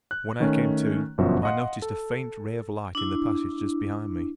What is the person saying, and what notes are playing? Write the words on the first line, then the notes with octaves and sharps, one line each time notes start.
When I came to I noticed a faint ray of light in the passage just behind me.
F#6
D#3 A3 C#4
G1 F#2 B2 F3 F#4 E5
D#5 F5 F#5 C6
A4
D4 E4